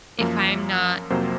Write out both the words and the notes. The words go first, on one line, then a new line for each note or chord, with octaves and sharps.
if I'm not
F#2 F3 A#3
F2 C3 F#3 A#3 C5